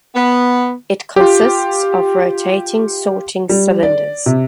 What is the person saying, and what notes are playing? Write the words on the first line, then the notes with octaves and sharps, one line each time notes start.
It consists of rotating sorting cylinders.
B3
F4 G4
G3
D5
C3